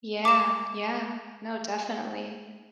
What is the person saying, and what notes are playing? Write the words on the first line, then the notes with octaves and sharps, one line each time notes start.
Yeah, yeah, no, definitely.
D6 E7